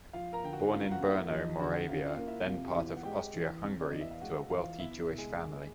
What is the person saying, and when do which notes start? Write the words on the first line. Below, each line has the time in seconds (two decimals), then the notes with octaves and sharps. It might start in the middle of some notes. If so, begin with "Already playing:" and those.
Born in Brno, Moravia, then part of Austria-Hungary, to a wealthy Jewish family.
0.13 F3 F4 F5
0.33 A#4 A#5
0.44 D3 G5
0.53 F#4 F#5
0.72 C#4 F4 F5
0.91 F#4 F#5
1.01 A#3
1.11 E4 E5
1.30 F3 D#4 D#5
1.59 D3 F#4 F#5
1.88 C#4 F4 F5
2.08 F4 F5
2.17 A#3
2.27 E4 E5
2.46 C3 F4 F5
2.66 G4 G5
2.75 E2
2.97 F#5
3.04 G#3 G4 G5
3.34 E3
3.64 C3
3.80 D5
3.91 E2 D#5
4.01 E5
4.11 F5
4.21 G#3 F#4 F#5
4.50 E3 F4 F5
4.79 B2 E4 E5
5.08 C2
5.18 G#3 G#4
5.38 A#3